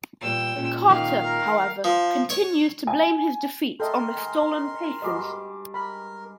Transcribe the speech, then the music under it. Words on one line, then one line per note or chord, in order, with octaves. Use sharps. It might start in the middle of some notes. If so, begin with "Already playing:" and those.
Carter, however, continues to blame his defeat on the stolen papers.
E2 A#2 G3 G5 E6
A#2 G#3 C#4
D#3 F5
A#4
F3
C#5
G#5
A4 A#4 D#5 E5 G5 C6
D#3 G#3
G2 G#3 F#4 D#5 D6
A#4 B5